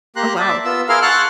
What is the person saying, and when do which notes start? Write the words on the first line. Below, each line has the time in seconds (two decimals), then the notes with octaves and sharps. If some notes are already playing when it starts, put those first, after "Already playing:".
Oh, wow.
0.16 A#3 G4 A#5 C6 F#6
0.39 D5 E5 A5
0.65 B3 F4 E6
0.89 E4 G#4 A#4 F5 C6 F6
1.02 F#5 A5 C6 C#6 F6 F#6